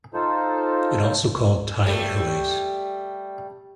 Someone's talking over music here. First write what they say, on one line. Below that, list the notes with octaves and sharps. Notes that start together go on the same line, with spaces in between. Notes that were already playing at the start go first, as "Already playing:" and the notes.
It also called Thai Airways.
D#4 F4 A4 C5
G3 A3